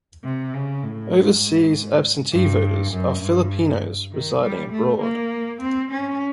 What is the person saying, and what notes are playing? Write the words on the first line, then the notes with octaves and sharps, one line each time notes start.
Overseas absentee voters are Filipinos residing abroad.
C3
C#3
A2
G#2
G2
F#2
G2
D#3
G3
A3
A#3
C4
C#4